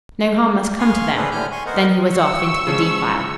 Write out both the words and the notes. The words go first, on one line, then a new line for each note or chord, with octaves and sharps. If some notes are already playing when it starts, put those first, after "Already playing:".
"No harm must come to them." Then he was off into the defile.
F5 G#5 C6 C#6 F6
C#4 D4 G#4 A4 B4 C5
A2 D3 G3 G#5 F6 G6
G#5 C6 C#6
B3 A#4 C5 D#5 F#5
C#6 E6
C#3 F3 G#3